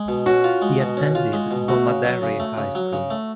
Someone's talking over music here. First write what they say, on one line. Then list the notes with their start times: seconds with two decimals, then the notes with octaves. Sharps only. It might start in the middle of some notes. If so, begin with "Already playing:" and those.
He attended Bomaderry High School.
Already playing: G#3
0.08 B2
0.26 C#4 F#4
0.44 F4
0.62 G#3
0.80 B2
0.97 C#4
1.15 F4
1.33 G#3
1.51 B2
1.68 A3 F#4
1.86 C#3
2.05 F#3
2.22 C#3
2.40 A3
2.57 C#3
2.75 F#3
2.93 C#3
3.10 A3